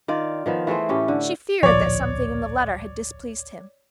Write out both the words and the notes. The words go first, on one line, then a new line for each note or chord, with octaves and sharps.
She feared that something in the letter had displeased him.
D#3 F4 D5
D#3 F3 B3
E3 A3 G#4 C5
A2 C#4 G4
D3
D1 A#1 F3 C#5 D5